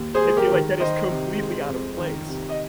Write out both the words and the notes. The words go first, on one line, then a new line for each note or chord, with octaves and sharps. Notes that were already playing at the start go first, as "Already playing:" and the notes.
I feel like that is completely out of place.
Already playing: D#2
G#4 C5
G#3
G4 A#4
D#3
D#3 C5 D#5
C3
G#3
F2
D#3
C3
D#5